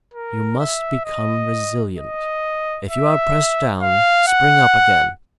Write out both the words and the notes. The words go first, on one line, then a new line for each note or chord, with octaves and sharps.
You must become resilient; if you are pressed down, spring up again.
A#4
E5
D#5
D#5
E5
F5
F#5